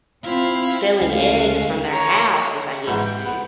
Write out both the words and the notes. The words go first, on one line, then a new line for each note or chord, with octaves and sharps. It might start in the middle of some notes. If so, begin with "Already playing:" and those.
selling eggs from their house as I used to.
C4 E4 F4 F5
D2 C#3 G#3 A3 C#4 F5
C#5 A#5
G#2 E3 B3 C#6
G5
B3